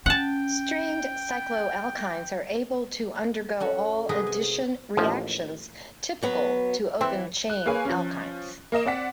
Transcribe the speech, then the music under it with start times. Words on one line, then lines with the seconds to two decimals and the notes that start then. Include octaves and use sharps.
Strained cycloalkynes are able to undergo all addition reactions typical to open chain alkynes.
0.06 C#4 F#5 G5 A5
3.60 C#4 F#4 A4
4.09 C3 G#3 B3 G#4 A#4 B4
4.27 G#5
4.97 A1 D#2 F3
6.23 F#3 B3
7.01 E3 C4
7.50 F#6
7.66 A#3 G#4 B4 C#5 F5 G#5
7.85 F3 C#4
8.72 A#3 A#4 D#5 E7
8.86 C4 D5 F#5 B6